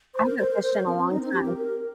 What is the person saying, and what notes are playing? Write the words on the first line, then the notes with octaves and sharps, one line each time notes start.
I haven't fished in a long time.
C5
A#4
C5
A#4
C5
A#4
C4
C4
D#4
C4
G4
A#4
A#4